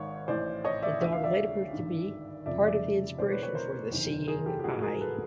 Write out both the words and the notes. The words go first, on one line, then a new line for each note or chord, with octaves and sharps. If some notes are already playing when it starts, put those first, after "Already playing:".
The dog later proved to be part of the inspiration for The Seeing Eye.
Already playing: G#1 G#2 D#3 C#5
A1 A2 E3 C5 D5
C#5 D#5
D5 E5
D2 D3 F3 E5
F5
D5 E5
G#1 G2 D#3
F1 F2 C#3 F3 D5 E5
D5 E5
E1 E2 B2 C5 D5
B4 C#5
B4 C#5
A#4 C5
F#1 E2 C3 D#3
G#4 A#4
G4 A4
G4
A1 G#2 F3 F#4 G#4
G#4 A#4
A4 B4